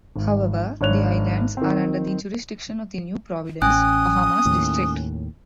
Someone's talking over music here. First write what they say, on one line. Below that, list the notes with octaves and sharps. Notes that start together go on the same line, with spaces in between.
However, the islands are under the jurisdiction of the New Providence, Bahamas District.
G#1
G#1 D4 C#5 F#6 F7
D#3 C4
A1 C#4 G#5 D#6 F#6
D#2 A2